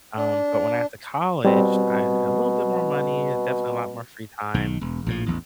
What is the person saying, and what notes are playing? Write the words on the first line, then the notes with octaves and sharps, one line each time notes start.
Um, but when I got to college, I had a little bit more money, definitely a lot more free time,
D4
B2 G3 C4
B1 D#3
E1
A#1 A2 F3
A1 E2